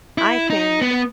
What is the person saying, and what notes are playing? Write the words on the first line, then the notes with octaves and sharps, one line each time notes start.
I can
E4
D#4
B3